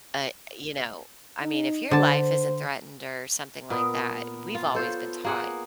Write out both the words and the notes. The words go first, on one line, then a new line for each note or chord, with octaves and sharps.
Uh, you know, I mean, if your life isn't threatened or something like that, we've always been taught,
D#4
D3 C5 A5
A#2 B3 A#4 D#6
F4
F4 A4 C5 C#5
A#3 G#4 F#5